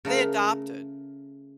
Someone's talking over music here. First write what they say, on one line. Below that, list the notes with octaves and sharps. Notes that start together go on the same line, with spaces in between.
They adopted.
C#3 A3 A#4